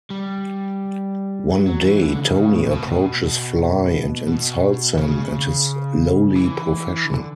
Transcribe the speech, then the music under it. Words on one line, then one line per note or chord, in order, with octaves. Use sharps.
One day, Tony approaches Fly and insults him and his lowly profession.
G3
F#3
F#3
E3
D3
C#3
C#3
A2
B2
B2
B2
C#3
E3
D3